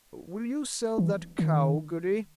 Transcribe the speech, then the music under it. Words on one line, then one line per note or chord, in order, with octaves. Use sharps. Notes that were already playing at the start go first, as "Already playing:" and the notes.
'Will you sell that cow, Goody?'
E3
D#3